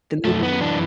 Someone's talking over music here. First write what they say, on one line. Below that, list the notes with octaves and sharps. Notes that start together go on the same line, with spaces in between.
the movie.
F#2 A3
B3
E3 D4